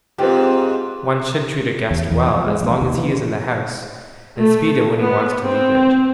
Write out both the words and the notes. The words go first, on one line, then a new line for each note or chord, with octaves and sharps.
One should treat a guest well as long as he is in the house and speed him when he wants to leave it.
G#2 C4 F4 G4
E2
E2
F3
G#3
A#1
D#2
E3
A3
B3
C4